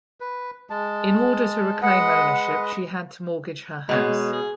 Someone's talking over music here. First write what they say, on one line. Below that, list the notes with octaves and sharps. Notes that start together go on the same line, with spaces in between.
In order to reclaim ownership she had to mortgage her house.
B4
G#3 A5
G#3 B4 D#5 F#5
B2 G#3 B3 C#5
G#4